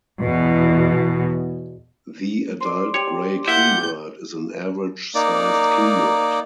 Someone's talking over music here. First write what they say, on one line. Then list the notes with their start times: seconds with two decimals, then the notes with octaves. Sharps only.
The adult gray kingbird is an average-sized kingbird.
0.22 E2 B2
2.60 C5 D5
2.94 G4 C#5
3.48 A#3 E4 E5 F#5 G6
5.15 A#3 D#4 D5